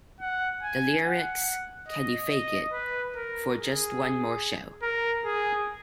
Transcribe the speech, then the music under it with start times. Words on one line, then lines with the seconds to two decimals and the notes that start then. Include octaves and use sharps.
The lyrics Can you fake it, for just one more show?
0.21 F#5
0.62 G#5
1.05 F#5
1.88 D#5
2.31 D#5
2.73 B4
3.15 A#4
3.57 G#4
4.82 A#4
5.25 G#4